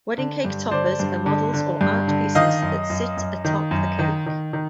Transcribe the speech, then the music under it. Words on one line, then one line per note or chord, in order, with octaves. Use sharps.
Wedding cake toppers are models or art pieces that sit atop the cake.
D3
G2
D3 C5 D5
G2
D3
D3
G2
D3
D#3 D#5 F5
F#2
F#2
F#2
D#3
F#2
D#3
D#3
D#3